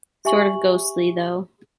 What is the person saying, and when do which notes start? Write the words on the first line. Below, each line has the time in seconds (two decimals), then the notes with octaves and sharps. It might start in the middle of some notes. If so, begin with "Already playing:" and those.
Sort of ghostly, though.
0.25 G4 E5 G#5 C#6 F#7